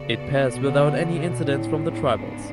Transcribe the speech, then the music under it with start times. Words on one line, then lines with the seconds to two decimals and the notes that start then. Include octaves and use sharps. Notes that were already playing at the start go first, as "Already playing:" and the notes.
It passed without any incidents from the tribals.
Already playing: C#3 B3 F#4 A4 D5
0.52 B2
0.67 D3
0.82 D3
0.98 D3
1.12 C#3
1.28 B2
1.43 A2 C#3 G#3 B3 D4
1.88 A2
2.03 F#2
2.18 G#2